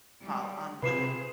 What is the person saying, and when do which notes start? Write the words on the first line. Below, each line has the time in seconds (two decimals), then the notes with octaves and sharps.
while on land
0.22 G3 G#3
0.82 C3 F4 G#4 B4 C5 B5 C7 E7